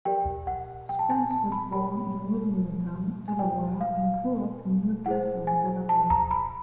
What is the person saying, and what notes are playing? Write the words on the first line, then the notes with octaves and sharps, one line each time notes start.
Spence was born in Wilmington, Delaware and grew up in New Castle, Delaware.
G4 A#4 D5 G5
F#5
G5
A5
G#5
A5
B5
G4 A#4 C#5 B5
G#5
E4 G4 B4 D5 G5
F5
E4 G#4 C5 F#5
G#5
A5
A#5
B5